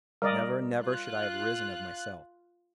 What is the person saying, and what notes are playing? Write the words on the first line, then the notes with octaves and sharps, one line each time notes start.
Never, never should I have risen of myself!
G3 A#4 D5 D#5
F4 F#6